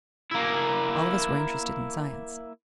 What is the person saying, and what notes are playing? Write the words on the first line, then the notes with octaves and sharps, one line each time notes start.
All of us were interested in science.
A#3 E4